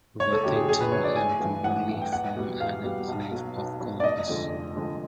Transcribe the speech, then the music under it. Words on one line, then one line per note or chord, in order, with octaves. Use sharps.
Worthington and Riverlea form an enclave of Columbus.
F#1 C#5
A4
F#2 D3 F#3 G4
G#4
F#1 G#4
B4
F#2 D3 F#3 C#5
D5
A1 G#5
G2 E3
A1 F#5
G2 E3
G5
E2 F#5
B2 G3
E2 F5
B2 G3
B1
B2 F#3
B1
B2 F#3
D5
F1 D#5
F2 D3 F3 G#3
F1
F2 D3 F3 G#3